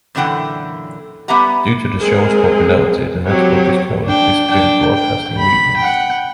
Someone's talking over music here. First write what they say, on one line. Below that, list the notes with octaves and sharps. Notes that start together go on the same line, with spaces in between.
Due to the show's popularity, the network is currently still broadcasting reruns.
F#2 A#2 D3 E3 F#5 G5
G3 B3 G4 E5 F#5 A#5
G#3 C4 G#4 A#4
F#3 C4 G4 C#5
D4 G5
D4 G5
G5
B5
F#5 G5